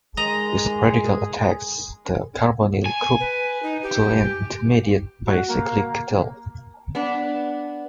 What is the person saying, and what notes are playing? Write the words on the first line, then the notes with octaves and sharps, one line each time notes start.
This radical attacks the carbonyl group to an intermediate bicyclic ketyl.
D#3 G#3 G#4 D#5 A#5
G#5
B4
D#4
G4
F#4
A#3
B3 D4